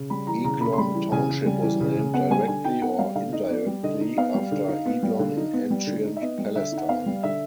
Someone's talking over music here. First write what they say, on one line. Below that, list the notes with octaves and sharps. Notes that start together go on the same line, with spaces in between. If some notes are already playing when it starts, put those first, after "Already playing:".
Eglon Township was named directly, or indirectly, after Eglon in ancient Palestine.
Already playing: C#3
G3 B5
E3 A#5
C#3 A#5
C#3 B5
C6
G3 B5
E3
C#3 G#5
C#3
G3
E3
C#3
C#3
B3 F#5
G3 G#5
D3 G#5
D#4 G5
B3 F#5
G3 F5
D3 F5
D#4 D#5
B3 D5
G3
D3 D#5
D#4
B3 F5
G3
D3
D#4
B3
G3
D3
D#4
B3
G3
D3
D#4
E5
B3 D#5
G3
D3 E5
D#4
F#5
B3 F5
G3
D3 E5